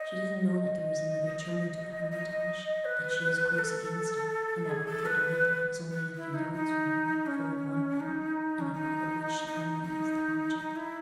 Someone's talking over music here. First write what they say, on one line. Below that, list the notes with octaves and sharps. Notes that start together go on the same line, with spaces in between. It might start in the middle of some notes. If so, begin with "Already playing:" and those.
She doesn't know that there is another turning to the Hermitage, that she is close against it, and that Arthur Donnithorne is only a few yards from her, full of one thought, and a thought of which she only is the object.
Already playing: D#5
D#5
D#5
B4
A4
G#4
A4
B4
B4
E4
D#4
D#4
C#4
D#4
C#4
D#4
D#4
D#4
D#4
E4